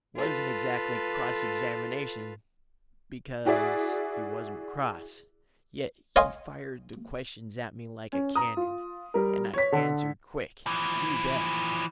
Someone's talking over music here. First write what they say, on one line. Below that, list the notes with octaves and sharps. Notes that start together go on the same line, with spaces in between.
It wasn't exactly cross-examination, because he wasn't cross, yet he fired the questions at me like a cannon, and I answered quick, you bet.
F4 A4 B4
E4 F#4 G#4 D5 E5
C#5 D#5 F5 G#5 C6
C#4
A#5 D#6
F4
G3 A#4
C#5 B6
D3 A4
E3 F3